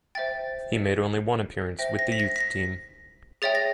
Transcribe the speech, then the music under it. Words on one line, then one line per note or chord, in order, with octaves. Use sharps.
He made only one appearance with the youth team.
C5 E5 G5 A6
C5 E5 G5 A#6
A#6
B6
A#6
B6
A#6
G#4 C#5 E5 G5 A6
A#6